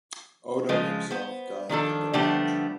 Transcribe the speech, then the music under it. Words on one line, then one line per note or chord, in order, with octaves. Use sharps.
Odo himself died in the rout.
C#3 F3 G#3 F4
B3 C5
D#3 F3 D4 A4
D3 F3 G3 A3 B3 D4